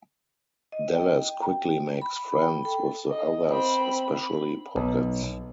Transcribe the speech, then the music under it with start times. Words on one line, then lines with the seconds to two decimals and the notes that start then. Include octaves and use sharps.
Dallas quickly makes friends with the others, especially Pockets.
0.72 D#5
0.95 G5
2.02 B5
2.42 G5
2.65 A4
3.10 D#5
3.48 C4 B5
4.13 B5
4.76 B1